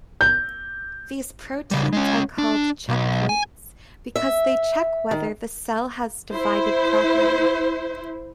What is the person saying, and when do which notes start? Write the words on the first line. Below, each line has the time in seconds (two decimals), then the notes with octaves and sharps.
These proteins are called checkpoints, because they check whether the cell has divided properly.
0.21 G6
1.71 C#3 G3
1.93 G#3 C#4
2.38 D4
2.89 B1
3.29 G#5
4.16 E5
5.11 D#3
6.33 E4 C5